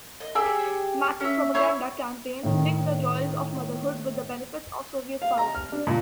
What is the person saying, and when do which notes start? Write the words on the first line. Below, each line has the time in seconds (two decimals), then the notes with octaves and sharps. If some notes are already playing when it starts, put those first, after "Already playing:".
Massive propaganda campaigns linked the joys of motherhood with the benefits of Soviet power.
0.20 D#5
0.35 G4 G#4 G5 E6
1.20 C#4 E5
1.54 E4 C5 C#5 E5
2.43 A2 D#3
5.22 F5
5.38 A#5
5.55 F6
5.72 D4
5.87 A#2